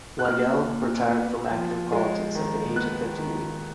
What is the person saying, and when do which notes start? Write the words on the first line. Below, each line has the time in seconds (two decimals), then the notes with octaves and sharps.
Wiegel retired from active politics at the age of fifty-eight.
0.19 F#6
0.24 A#2 F6
0.67 A#2
1.08 B3
1.51 F3
1.92 G#3
2.35 D#3
2.76 B3 F#6
3.18 D#3